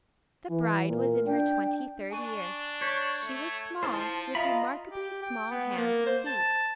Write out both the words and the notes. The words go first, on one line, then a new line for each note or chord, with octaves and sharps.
The bride was in her twenty-third year. She was small, with remarkably small hands and feet.
E3
A#2 A#4
D4 G5
D4 G#5 C#6 D#7
C#5 C#6 G6 B6
A3
F3 E4 C5 A5 C6 F6
F4 D#5 E5 A#5 B5
G4
G5
B3
A#3
C5
A5